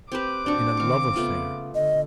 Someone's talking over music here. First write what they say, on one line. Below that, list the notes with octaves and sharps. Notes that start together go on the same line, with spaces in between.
In a love-affair.
C4 G4 B4 D6
C4 D4 F#4 C#6
D#3 C4 F5 C#6
C#3 A3 B3 F4
D3 D#5